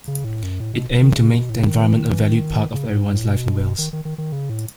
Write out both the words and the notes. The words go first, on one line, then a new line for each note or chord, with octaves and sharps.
It aimed to 'make the environment a valued part of everyone's life in Wales'.
C#3
A2
F#2
A2
B2
D#3
C#3
B2
A2
C#3
D#3
E3
D#3
E3
D#3
C#3
A2
G#2
A2
B2
D#3
D#3
D#3
D#3
C#3
A2